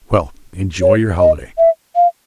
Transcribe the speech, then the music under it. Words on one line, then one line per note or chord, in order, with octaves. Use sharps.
Well! enjoy your holiday.
C#5
D#5
E5
F5